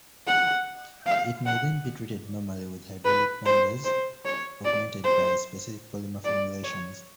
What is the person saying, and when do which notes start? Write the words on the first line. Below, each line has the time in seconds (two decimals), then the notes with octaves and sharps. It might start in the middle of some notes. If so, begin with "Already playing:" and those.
It may then be treated normally with hydraulic binders, augmented by specific polymer formulations.
0.27 F#5
1.06 F5
1.46 F#5
3.05 B4
3.46 C5
3.85 C5
4.25 C#5
4.65 D5
5.04 C5
6.25 D5
6.64 C#5